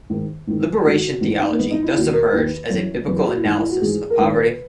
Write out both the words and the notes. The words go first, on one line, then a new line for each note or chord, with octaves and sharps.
Liberation theology thus emerged as a biblical analysis of poverty.
G#2 D#3
G#2 D#3
G#2 D#3 F#4
G#2 E3
D#4
A#3
G#2 E3 B3
D#4
E4
D#2 D#3 F#4
A#4
D#2 D#3 B4
F#2 E3 C#5
F#2 E3 B4
G#4
F#4
E4
G#2 E3 D#4
E4
F#4
G#2 E3 G#4
A#4
G#2 D#3 B4
B4